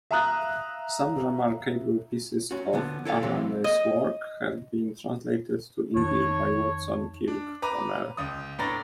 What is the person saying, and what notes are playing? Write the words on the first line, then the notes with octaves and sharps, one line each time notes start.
Some remarkable pieces of Arany's works have been translated to English by Watson Kirkconnell.
E5 F5 A#5 D#6 F#6
C#4 F#4
D3 F3 B3
E4 A4 D5 F5
C3 E3 F#3 C4 C#4 G4
D#5
F2 D#3 C#5 A5
D4
B4 A#5 D6
C#2 D#6
A2 B3 D4 A#5 A6 A#6